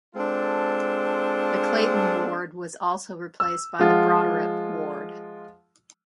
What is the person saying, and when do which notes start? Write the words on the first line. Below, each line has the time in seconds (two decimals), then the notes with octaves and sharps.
The Clayton Ward was also replaced by the Broderip Ward.
0.15 G#3 C4 D4 F4 A4
3.40 E6
3.79 F3 G#3 F4 F#5 A6